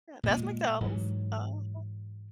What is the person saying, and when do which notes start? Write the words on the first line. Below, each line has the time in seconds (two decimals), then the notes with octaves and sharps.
that's McDonald's, uh-huh.
0.23 A#2 G#3
0.81 G#2 E3 F#3